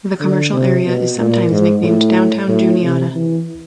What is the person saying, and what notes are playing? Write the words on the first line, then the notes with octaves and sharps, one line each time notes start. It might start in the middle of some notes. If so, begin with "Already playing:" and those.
The commercial area is sometimes nicknamed downtown Juniata.
D3
C3
B2
A#2
G#2
A2
A2
C3
E3